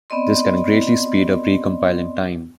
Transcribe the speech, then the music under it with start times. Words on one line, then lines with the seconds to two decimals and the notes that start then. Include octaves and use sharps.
This can greatly speed up recompiling time.
0.10 B3 C4 D5 D#5 C6